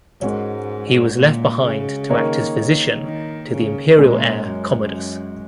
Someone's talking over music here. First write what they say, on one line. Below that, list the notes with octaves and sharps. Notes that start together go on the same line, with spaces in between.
He was left behind to act as physician to the imperial heir Commodus.
G#2 G#3 C#4 F#4 A#4 C#5
A#2
C#3
D#3 A#3 D#4 A#4 C#5
D#3
C#3
A#2 G#3 C#4 A#4
F#2